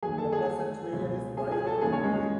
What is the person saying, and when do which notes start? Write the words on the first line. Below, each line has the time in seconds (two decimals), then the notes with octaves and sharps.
The present Mayor is Byron Rodway.
0.03 F#3 G#4 G#5
0.06 D#2 D#3
0.18 A4 A5
0.32 G#4 G#5
0.93 C#2 B2 F#3
1.37 G#4 G#5
1.52 G#4 G#5
1.66 A4 A5
1.81 D#2 C#3 E3 G#4 G#5
1.92 C#4 C#5
2.04 G#3 G#4